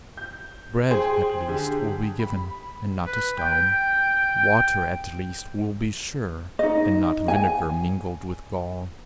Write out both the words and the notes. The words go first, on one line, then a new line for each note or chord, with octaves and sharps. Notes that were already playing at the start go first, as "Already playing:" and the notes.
Bread, at least, will be given, and not a stone; water, at least, will be sure, and not vinegar mingled with gall.
G6
G#4 C5 G5
D3 G4 G#4
B5
B4
G5
D#4 D#5
G#5